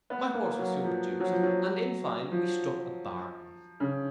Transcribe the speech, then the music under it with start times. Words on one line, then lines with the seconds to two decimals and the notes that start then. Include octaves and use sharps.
My horse was soon produced, and in fine we struck a bargain.
0.10 B3
0.34 A#3
0.59 F#3
0.84 F3
1.20 F#3
1.32 F3
1.43 F#3
2.31 F3
3.80 C#3